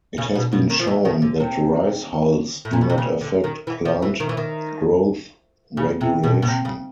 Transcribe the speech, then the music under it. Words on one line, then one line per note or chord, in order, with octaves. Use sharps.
It has been shown that rice hulls do not affect plant growth regulation.
C#3
B2
B2
D#3
F3
E3
D#3
D3
C3
A2
A#2
B2
C3
C#3
D3
D#3
E3
F3
E3
D#3
E3
D#3
C#3
C3
B2
B2
C3
C#3